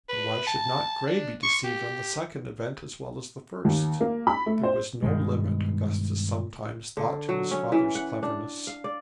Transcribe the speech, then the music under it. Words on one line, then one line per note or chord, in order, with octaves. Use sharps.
But why should not Grey be deceived on the second event as well as the first. There was no limit, Augustus sometimes thought, to his father's cleverness.
B4
A5
D4
C#6
G4
D#2
A#3
B5
A3
C5
G2 B2 D#3 G#3
D3
F#3
C#4
E3
F#5
D4
F5
D5